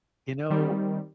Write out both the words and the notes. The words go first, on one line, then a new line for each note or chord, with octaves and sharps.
You know,
D#3 G3 C4